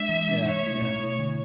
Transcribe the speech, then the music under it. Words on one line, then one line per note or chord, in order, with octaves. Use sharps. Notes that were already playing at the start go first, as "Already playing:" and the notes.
Yeah, yeah.
Already playing: G#3 D4 E5
E3
G#3 D4
B2 C#5
A3 E4
B2 C#5
A3 E4
D3